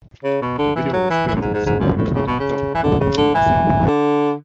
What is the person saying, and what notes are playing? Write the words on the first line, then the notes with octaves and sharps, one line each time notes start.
The video was filmed in the suburban town of Feltham, in west London.
C#3
B2
D3
E3
F#3
E3
E3
F#2
G#2
G#2
G#2
F#2
A2
C#3
B2
C#3
E3
D3
C#3
D3
E3
D3